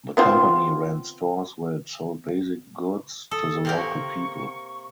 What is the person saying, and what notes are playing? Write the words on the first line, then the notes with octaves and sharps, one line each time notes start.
The company ran stores were it sold basic goods to the local people.
B3 C4 F4
A4 D#6
C3 A#3 A#4 G5
C#6